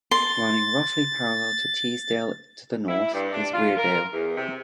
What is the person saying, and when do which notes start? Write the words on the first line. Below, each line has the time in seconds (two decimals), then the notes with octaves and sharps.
Running roughly parallel to Teesdale to the north is Weardale.
0.11 C6 A6
2.89 E4
3.13 G2
3.31 D4
3.53 F4
3.77 A#4
4.12 E2
4.36 C3